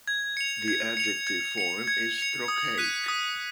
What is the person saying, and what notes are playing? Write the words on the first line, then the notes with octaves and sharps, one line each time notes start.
The adjective form is "trochaic".
G#6
C#7 F7
G#6
C#7 F7
G#6
C#7 F7
G#6
C#7 F7
D#6
F#6 B6 D#7
D#6